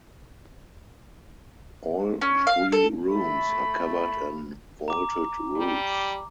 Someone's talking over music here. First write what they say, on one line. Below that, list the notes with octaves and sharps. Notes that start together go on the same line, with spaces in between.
All three rooms are covered in vaulted roofs.
C#4
F5
A4
A3 B5
A#5 D6
G3